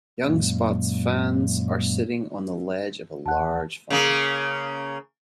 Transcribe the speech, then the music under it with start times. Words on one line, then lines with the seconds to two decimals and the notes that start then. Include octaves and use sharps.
Young spots fans are sitting on the ledge of a large fountain.
0.24 F#2 A#2 F#3 G#3 A#3
3.26 D#2 F#5 A5 F#6
3.90 C#3 A#3